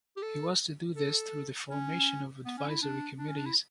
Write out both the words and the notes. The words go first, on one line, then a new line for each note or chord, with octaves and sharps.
He was to do this through the formation of advisory committees.
G4
A4
A4
C#4
B3
C#4
E4
D4
D4
C#4
D4
E4